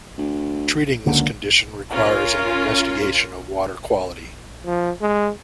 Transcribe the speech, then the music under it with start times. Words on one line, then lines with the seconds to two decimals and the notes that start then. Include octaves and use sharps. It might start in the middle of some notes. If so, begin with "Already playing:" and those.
Treating this condition requires an investigation of water quality.
0.18 D2
1.06 C#2 F#2 D3 A#3
1.93 C#4 F4 A#4
4.66 F3
5.01 G#3